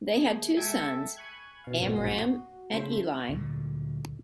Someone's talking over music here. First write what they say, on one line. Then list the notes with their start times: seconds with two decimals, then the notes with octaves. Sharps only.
They had two sons: Amram and Eli.
0.12 D#2 G4 G#4 E5
0.57 G#3 A4 E5 G5 G#5
1.17 G#5 B5 C#6 F#6 G#6
1.64 B2 F5
1.81 G#1 G2 A#2 C4 F#4
1.95 A#1 F#3 D#5 C6
2.11 F#4
2.73 C#3 A3 C#4 C5 B5 E6
3.29 D2 A#2 D3